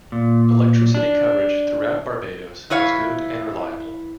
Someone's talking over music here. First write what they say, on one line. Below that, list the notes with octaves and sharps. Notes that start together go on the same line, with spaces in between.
Electricity coverage throughout Barbados is good and reliable.
A#2
D4
E3 E4 C#5 F5